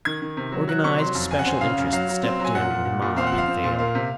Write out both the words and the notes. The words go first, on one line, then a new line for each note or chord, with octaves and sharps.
Organized special interests stepped in where the mob had failed.
D#3 G#6
D#3
C3
F#3
F#3 F#6
C3 C#6
F#3 C6
F2
F#2 G#5
F#5
C4 G#5
C#3 F5
F#2
F#3 F5
F#3
C4
F#3
G#5
A#2 F#5
A#2
A#2
A#2
C4 F5
F#5
F3
F5
C4
A#2
A#3 F5
C3